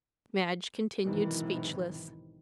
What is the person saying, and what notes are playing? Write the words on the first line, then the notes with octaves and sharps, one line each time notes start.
Madge continued speechless.
B1 G#2 C3 D#3 E3